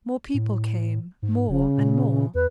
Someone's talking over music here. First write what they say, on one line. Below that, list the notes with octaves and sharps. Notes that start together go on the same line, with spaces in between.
More people came--more and more.
A2
G#2
F1 C#3
A#2
E2 B4